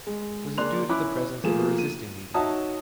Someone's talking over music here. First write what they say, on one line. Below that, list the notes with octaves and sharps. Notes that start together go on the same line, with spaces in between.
Was it due to the presence of a resisting medium?
G#3
C#3 A#3 D4 C6 F#6 F7
C#4 E4 B5 D6 F#6
F3 A3 A#3 G#4 E7
D#7
D#4 F#4 C#5 E5 A5 D#6